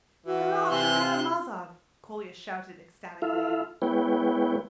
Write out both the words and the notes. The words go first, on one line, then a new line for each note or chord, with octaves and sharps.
"Hurrah for Karamazov!" Kolya shouted ecstatically.
E3 F#4
C3 G#5 C6 F#6
F4
E4 F4 A4 E5 F5
G#3 B3 E4 B4 C#5 G5